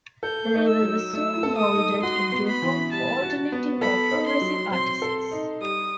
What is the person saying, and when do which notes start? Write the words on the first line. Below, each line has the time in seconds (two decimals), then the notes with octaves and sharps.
The label was soon moulded into a home for 'alternative' or 'progressive' artists.
0.23 A4 G6
0.54 D#4
0.68 E6
0.83 F#3
1.13 A3 E6
1.43 A4
1.57 D#6
1.73 D#4
2.02 F#4 C6
2.32 B3
2.48 B5
2.62 E3
2.92 G3 A5
3.22 F#4
3.52 B3
3.82 A4 B5
4.11 D#4
4.26 C6
4.41 F#3
4.71 C4 C6
5.02 A4
5.31 D#4
5.61 G3 D#6